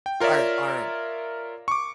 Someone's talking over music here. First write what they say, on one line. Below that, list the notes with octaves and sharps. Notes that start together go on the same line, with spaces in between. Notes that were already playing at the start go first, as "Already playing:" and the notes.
our our
G5
F4 A#4 C#5 D5 E5
C#6 D6